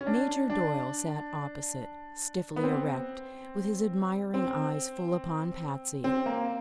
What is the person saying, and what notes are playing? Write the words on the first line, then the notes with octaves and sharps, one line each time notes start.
Major Doyle sat opposite, stiffly erect, with his admiring eyes full upon Patsy.
C#4
D4
D4
B3
C4
C4
C4
A#3